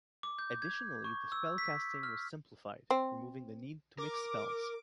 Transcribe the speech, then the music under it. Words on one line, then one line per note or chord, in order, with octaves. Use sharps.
Additionally the spell-casting was simplified, removing the need to mix spells.
D6
G6
G#6
C#6
E6
B6
F6
C4
A#4 D6